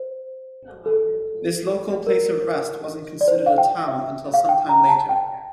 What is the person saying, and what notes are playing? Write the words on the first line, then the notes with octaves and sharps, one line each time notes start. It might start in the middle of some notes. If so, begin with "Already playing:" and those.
This local place of rest wasn't considered a town until some time later.
Already playing: C5
A4
A#4
D5
C5
F5
G5
E5
F5
G5
A#5
A5
G5